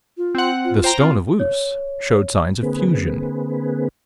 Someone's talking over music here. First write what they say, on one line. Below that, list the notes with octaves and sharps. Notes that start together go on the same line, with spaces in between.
The stone of Luce showed signs of fusion.
F4
C4 F#5
F4
C5 G5 A#5
C4 F4
C#5
D3 A#3 C4 G#4 B4